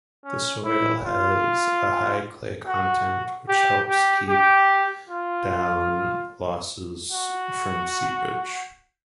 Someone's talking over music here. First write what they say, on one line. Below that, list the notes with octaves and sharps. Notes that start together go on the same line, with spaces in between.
The soil has a high clay content which keeps down losses from seepage.
C#4
E4
F4
F#4
G4
G4
G4
F4
F#4